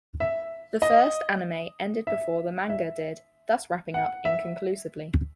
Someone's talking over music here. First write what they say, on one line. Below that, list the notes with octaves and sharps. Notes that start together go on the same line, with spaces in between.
The first anime ended before the manga did, thus wrapping up inconclusively.
E5
D#5
E5
E5
F#5
E5